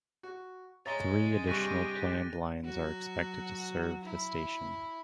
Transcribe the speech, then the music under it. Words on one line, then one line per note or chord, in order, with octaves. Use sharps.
Three additional planned lines are expected to serve the station.
F#4
G#3 C#5 E5 A#5 A6 G7
G2 C3 G4 C#6 F#6 A#6 D#7
F#3 F#4
E4